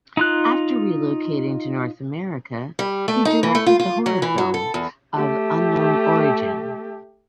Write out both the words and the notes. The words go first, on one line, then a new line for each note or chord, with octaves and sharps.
After relocating to North America, he directed the horror film "Of Unknown Origin".
D#4 F4 F#6
G3
A3
D#4
E3
A3
F4
F4
F#3
E3
F#3
A4
E2
A3 G4